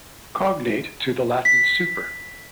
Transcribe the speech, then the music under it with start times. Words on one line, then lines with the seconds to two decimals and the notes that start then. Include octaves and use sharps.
Cognate to the latin super.
1.45 B6